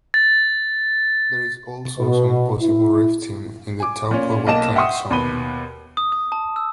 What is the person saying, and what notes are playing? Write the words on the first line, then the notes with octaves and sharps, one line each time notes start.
There is also some possible rifting in the Taupo Volcanic Zone.
A6
B2
E4
G#5 D6
A#2 C#4
B1 A#3 D#5 A5 E7
E5 F#5 G5 C6 C#6 D#6
D#2 B2 B4 B5 D#7 G7
D#6
D#6
A5
E6